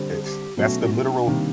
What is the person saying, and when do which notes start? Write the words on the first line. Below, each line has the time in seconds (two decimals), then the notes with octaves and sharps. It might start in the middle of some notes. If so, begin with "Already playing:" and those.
It's that's the literal
Already playing: D3 G3 C4
0.10 G#4
0.23 G4
0.57 B2 F#3 A3 C#4 F#4
0.83 F#4
0.93 F4
1.04 D#4
1.15 D4
1.27 C3 D#3 G3 A#3